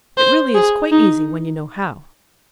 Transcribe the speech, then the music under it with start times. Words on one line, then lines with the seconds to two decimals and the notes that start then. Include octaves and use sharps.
It really is quite easy when you know how.
0.17 C5
0.55 G#4
0.92 D#4